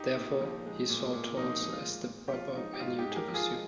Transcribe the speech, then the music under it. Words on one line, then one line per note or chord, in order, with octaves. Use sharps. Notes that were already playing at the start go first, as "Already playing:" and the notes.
Therefore, he saw tolls as the proper venue to pursue.
Already playing: D#4 G4
A#2
F3
G#3
A#2
A#2
F3 D#4
G#3
F4
A#2
A#2
G4
F3 F4
G#3 D#4
G4
G#2 F4
D#4 G4
G#2
G#4
G4 A#4
F3
F4 G#4
G#3